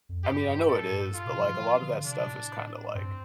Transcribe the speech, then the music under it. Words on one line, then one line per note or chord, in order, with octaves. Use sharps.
I mean, I know it is, but, like, a lot of that stuff is kinda, like,
F2
G2 G4
A2 A4
G2
A2 F4
C3
F3
F3
F3
D3
C3 D4
A2
G2 C4